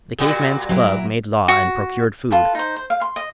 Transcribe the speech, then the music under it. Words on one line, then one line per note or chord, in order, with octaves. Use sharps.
The cave man's club made law and procured food.
A#2 G3 F#4
F#3 E4 A#4
F#4
F4 A4 B4
D#4 C5
C5
F5
C6
D#5